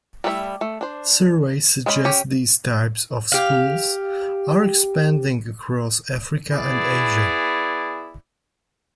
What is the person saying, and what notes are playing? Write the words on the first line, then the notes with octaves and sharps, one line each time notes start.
Surveys suggest these types of schools are expanding across Africa and Asia.
G3 A3 E4 B4 E5
A3
D4 C5
G#3 C#4 C5 B5
C#4 G4 G5
G4 F5
B3 E4 G#4 D5